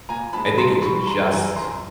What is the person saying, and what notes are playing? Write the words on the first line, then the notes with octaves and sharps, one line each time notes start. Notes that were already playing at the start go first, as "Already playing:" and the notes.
I think it's just
A#2 G#5 A#5
F3 G#3 A5 B5
G2 A#5 C6
E3 G3 B5 C#6
G2 A#5 C6
E3 G3 G#5 A#5
F2 A#5 C6